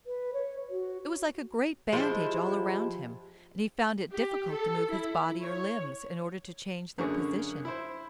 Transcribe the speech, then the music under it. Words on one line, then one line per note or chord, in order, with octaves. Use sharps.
It was like a great bandage all around him and he found it difficult to move his body or limbs in order to change their position.
B4
C#5
F#4
F3 G#3 E4 G4
G4
A4
E4
C#5
F#2 D3 A#3 C#4 G#4 C#6
E4 C5